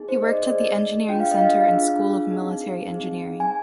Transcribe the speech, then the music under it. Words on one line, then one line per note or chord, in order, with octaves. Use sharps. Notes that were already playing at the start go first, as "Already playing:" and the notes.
He worked at the Engineering Center and School of Military Engineering.
Already playing: B3 D#4 G#4
C5
D#5
D5
B3 D#4 G#4 D#5
D4 F4 G#4 G5
F5
D#5
F5
D4 F4 G#4
C4 D#4 G#4
C4 D#4 G#4
G#5